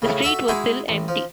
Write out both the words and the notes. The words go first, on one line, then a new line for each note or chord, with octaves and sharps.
The street was still empty.
A2 C#3
F#4 A4 E5 C#6
G#3 D#4 E4 F#4 G#4
A1
F3